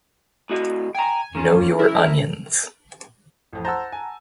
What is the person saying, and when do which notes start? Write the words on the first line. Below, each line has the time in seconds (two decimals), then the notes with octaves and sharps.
Know your onions.
0.50 A2 F#4 D#5
0.95 G5 G#5 A#5
1.35 D#3 A#3 C#4 F4
1.79 F#2 E4 A#4
3.53 A1 F2
3.65 C5 F#5 A5 A#5 E6
3.92 G#5